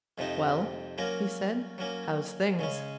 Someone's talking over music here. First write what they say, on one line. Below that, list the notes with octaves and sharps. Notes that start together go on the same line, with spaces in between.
"Well," he said, "how's things?"
F2 C3 F3 C4 D#4
F#3 A#3 C#4 F4 A#4
F#3 A#3 C#4
C#3 G#3 C#4